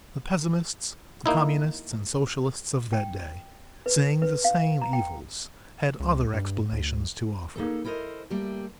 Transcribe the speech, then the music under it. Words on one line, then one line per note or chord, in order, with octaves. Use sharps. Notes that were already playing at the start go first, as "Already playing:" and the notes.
The pessimists--the communists, and socialists of that day--seeing the same evils, had other explanations to offer.
A#3 D#4 E4
G5
B4
B4
F5
A#5
G5
C#2
G2
D2
A#3 D#4 G#4 A4
E4 A4 A#4 C5 D#5
G3 A3 A#3 G4